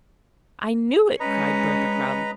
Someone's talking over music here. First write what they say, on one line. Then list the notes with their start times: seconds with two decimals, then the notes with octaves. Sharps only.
"I knew it!" cried Bertha, proudly.
1.20 G#3 C#4 B4 D#5 A#5